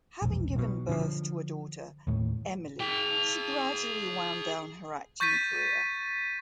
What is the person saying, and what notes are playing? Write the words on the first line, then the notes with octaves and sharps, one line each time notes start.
Having given birth to a daughter, Emily, she gradually wound down her acting career.
E1 A#1
B1 B2
D3 F3
D#2 A2
G#4 G5
C#6 G6 A6 B6 D#7